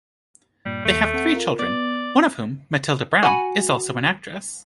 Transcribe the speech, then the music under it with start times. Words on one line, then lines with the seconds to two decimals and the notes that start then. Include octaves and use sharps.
They have three children, one of whom, Matilda Brown, is also an actress.
0.65 G2 A#2 G3
0.85 D#2 A3
1.14 C4 A4 F#5
1.35 F4 A#4
1.59 B3 D5
3.23 F#4 F#5 G#5 A#5 B5